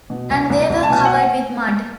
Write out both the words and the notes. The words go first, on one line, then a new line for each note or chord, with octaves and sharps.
And they were covered with mud.
B2
C2
C2
C2
A5
B2 G#5
F#5
G#5